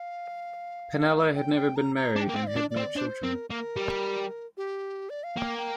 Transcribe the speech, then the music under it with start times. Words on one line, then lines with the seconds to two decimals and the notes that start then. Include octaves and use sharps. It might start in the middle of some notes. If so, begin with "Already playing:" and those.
Pannella had never been married and had no children.
Already playing: F5
1.36 G5
1.56 G5
1.76 A#5
1.96 A#5
2.16 D4 A#5
2.21 G5
2.29 A#3
2.36 C4
2.43 F5
2.47 D5
2.56 D4
2.70 D5
2.76 C4
2.96 D4 C5
3.23 C4 A#4
3.50 A#3 A#4
3.77 G3
4.57 G4
5.10 D5
5.24 F5
5.37 A#3 G5
5.58 G5